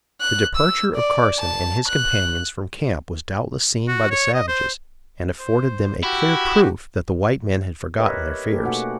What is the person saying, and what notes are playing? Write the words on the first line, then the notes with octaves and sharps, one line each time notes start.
The departure of Carson and his companions from camp was doubtless seen by the savages and afforded them a clear proof that the white men had forgotten their fears.
F#6
E6
D5
A5
F#6
F#4
C#5
D#5
C5
C5
E4 F#4 G4
G4 A#4 B4 C#5 D#5 E5
A3 A#3 C#4 G4 A4 B4
B2 A#3 D#4 F#4 F#5